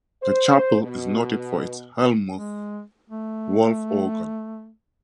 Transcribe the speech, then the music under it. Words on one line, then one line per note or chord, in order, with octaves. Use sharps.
The chapel is noted for its Hellmuth Wolff organ.
C5
B2
G#3
A3